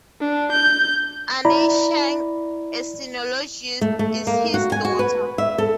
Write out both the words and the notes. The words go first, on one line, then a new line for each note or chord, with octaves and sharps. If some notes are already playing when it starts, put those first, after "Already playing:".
Anne Cheng, a sinologist, is his daughter.
D4
G6
E4 D5 A#5 B5
A3
A3
A#3
F#4
G#5
F#4
B4
E5
A4